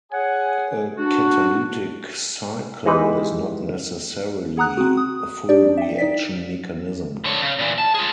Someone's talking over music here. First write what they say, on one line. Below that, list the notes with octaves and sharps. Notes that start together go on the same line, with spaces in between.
A catalytic cycle is not necessarily a full reaction mechanism.
G#4 C#5 F#5 G#5
D4 F#4
E3 G#3 D#4 G4 B4
G#4 F#5 A#5 D#6 F#6
C4 F#4
D#6
D4 G4 D5
E5 G5
D#4 D5 B6
D3 C#5
C#3
A#2 E3
A5
F4 G#4